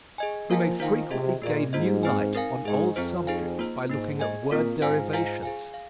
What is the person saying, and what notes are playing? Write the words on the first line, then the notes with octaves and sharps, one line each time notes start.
We may frequently gain new light on old subjects by looking at word-derivations.
G#4 D#5 G#5
F3 A#3 F4 A#4 F5 G#5
D#3 F4 C5 F5 G#5
C3 F4 G#4 D#5
A#2 A#3 G#4 D#5
G#2 A#3 F4 C5 D#5
C4 D#4 C5 G#5
D#4 A#4 F5 G#5
G#2 G#4 D#5 G#5
F2 C4 F4 C5
D#4 G#4 C5 F5 G#5
A#3 F4 C5
G#2 A#3 D#4 G#4
G#4 D#5 G#5
A#2 C4 F4 A#4
G#2 F4 C5 F5 G#5
F4 C5 F5 G#5
G#4 F5 G#5
F5